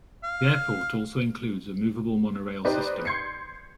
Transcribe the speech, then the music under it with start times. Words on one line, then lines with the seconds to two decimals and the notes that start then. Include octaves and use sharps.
The airport also includes a movable monorail system.
0.23 F5
2.65 D#4 G4 B4 C5 D5
3.05 C6 G6 G#6 C7 C#7